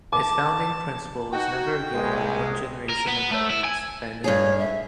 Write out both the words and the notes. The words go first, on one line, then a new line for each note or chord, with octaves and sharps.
Its founding principle is Never again will one generation of veterans abandon another.
A5 D6
D#4 F#4 G5
C2 G#3
A#4
B3
A3
E4
G#5
G2 G#4 C#5
E5